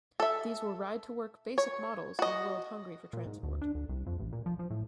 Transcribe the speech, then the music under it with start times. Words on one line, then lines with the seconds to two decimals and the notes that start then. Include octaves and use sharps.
These were ride-to-work basic models, in a world hungry for transport.
0.20 A4 E5
1.58 C#5
2.19 F#4 D#5
3.13 A#2
3.26 G#2
3.43 D2
3.61 D4
3.75 D2
3.89 C2
4.07 F2
4.19 A1
4.33 A#2
4.46 F3
4.59 F3
4.70 A2